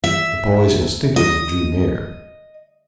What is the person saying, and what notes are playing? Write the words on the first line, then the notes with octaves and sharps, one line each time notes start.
The boys instinctively drew near.
E5
D#5